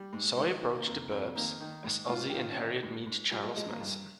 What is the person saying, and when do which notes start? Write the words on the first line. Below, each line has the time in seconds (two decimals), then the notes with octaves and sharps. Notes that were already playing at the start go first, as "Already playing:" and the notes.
So I approached "The 'Burbs" as "Ozzie and Harriet Meet Charles Manson".
Already playing: G3
0.13 G#2
0.38 D#3 G#3
0.62 D#3
0.75 A#3
0.87 F2 A#3
1.11 F2
1.35 D#3 A#3
1.60 D#3
1.84 G#2
2.08 G#2 F4
2.30 G4
2.33 D#3 F4
2.51 C#4
2.58 D#3 D#4
2.83 G#2
3.06 G#2
3.31 F3 G3
3.43 G#3
3.56 F3 G#3
3.69 A#3
3.80 G2